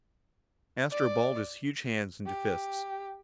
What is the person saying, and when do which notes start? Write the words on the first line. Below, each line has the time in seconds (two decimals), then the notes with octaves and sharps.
Astro balled his huge hands into fists.
0.91 D5
2.26 G4